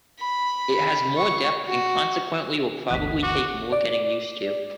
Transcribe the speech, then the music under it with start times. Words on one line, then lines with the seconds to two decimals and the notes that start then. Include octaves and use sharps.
It has more depth and consequently will probably take more getting used to.
0.20 B5
1.17 C#6
1.66 F#4
2.91 G1 D2 E3 F#6 B6
3.23 F#4 D6
3.72 D5